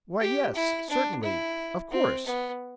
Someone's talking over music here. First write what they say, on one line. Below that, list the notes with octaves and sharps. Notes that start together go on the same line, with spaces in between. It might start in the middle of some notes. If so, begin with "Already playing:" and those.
Why yes, certainly, of course!
G4
E4
D4
E4
C4
B3